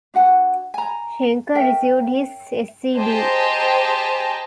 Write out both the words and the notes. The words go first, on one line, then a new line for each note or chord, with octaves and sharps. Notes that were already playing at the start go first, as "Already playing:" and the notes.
Shenker received his Sc.B.
D4 F#4 F#5 G#5
G#5 A#5
C#4 A#4 E5 G5
G4 G#4 C5 D#5 A5 A#5